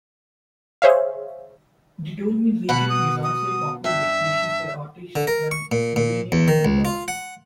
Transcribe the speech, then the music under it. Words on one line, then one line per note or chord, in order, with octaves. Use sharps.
The Tolmin region is also a popular destination for artists from Slovenia and abroad.
G#4 C5 C#5 E5 F5
B2 F#5 B5
D#6
D#6
G2 E5
D3
A#4
C#6
A#2
A#2
E2
D#3
C#2
F4
F#5